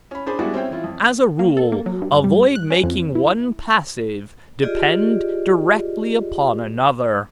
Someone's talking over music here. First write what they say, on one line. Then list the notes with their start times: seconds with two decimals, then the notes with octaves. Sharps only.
As a rule, avoid making one passive depend directly upon another.
0.11 C#4 B5
0.26 D4 G#4 C5 G#5 B5
0.39 G3 G#3 B3 D4 E4 F#4
0.54 C4 C#4 E4 C5 G5
0.71 E3 E4 F4
0.84 F2
1.39 A#3
1.57 A4
1.72 A#3
1.86 F#3
2.02 G2
2.24 G3
2.55 F#6
2.70 C#4
2.84 F2
3.15 E4
4.62 F4 G4 G#4 D5 D#5